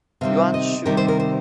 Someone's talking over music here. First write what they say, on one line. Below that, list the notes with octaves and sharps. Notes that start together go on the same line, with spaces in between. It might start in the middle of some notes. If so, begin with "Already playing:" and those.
Yuan Shu.
C3 D#3 G3 C4 F5
D#5
C3 D#3 G3 C4 A#4
C5
A#4
C5